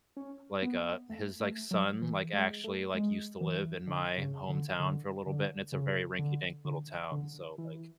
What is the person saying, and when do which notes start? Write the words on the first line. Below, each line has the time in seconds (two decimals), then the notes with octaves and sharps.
like, uh, his, like, son, like, actually, like, used to live in my hometown for a little bit, and it's a very rinky dink little town, so, like
0.17 C#4
0.62 B3
1.10 A3
1.40 A3
1.71 F#3
2.02 E3
2.33 G#3
2.64 A3
2.95 G#3
3.41 E3
3.87 D3
4.17 C#3
4.49 D3
4.79 D3
5.26 D3
5.72 C#3
6.19 D3
6.65 D3
7.11 D3
7.58 E3